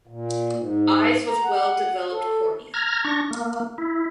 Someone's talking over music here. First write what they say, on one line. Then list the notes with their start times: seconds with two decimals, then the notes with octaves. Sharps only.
Eyes with well developed cornea.
0.07 A#2
0.57 G#2
1.28 A#5
1.44 F#5
2.11 A4
2.74 A#5 F6 G#6 A#6
3.04 D4 C#6 A#6
3.31 A#3
3.78 E4